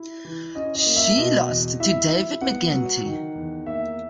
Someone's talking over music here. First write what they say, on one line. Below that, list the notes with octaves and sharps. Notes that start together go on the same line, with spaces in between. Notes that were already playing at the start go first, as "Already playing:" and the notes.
She lost to David McGuinty.
Already playing: E4
E3
C#4 D#5
D#5
A#3
E5
B2 D#5
E2
E4 E5
E4
B3 F#5
F#3
D#3
E2
A#3 E5